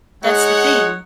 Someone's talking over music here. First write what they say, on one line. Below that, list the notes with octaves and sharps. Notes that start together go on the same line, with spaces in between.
that's the thing.
G#3 D#4 C#5 F#5